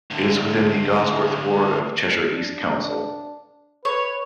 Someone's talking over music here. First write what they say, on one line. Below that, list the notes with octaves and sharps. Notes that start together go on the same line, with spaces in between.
It is within the Gawsworth Ward of Cheshire East Council.
A2 D3
D4
B4 C#5